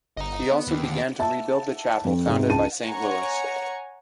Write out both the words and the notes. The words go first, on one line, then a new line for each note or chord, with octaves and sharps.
He also began to rebuild the chapel founded by Saint Louis.
G1 D#5 A#5
B3
D#2
D3
E5 A5
F2
G#2 C3
C#2 A5 D#7
C#5 F#5 G#5 A#5 C#6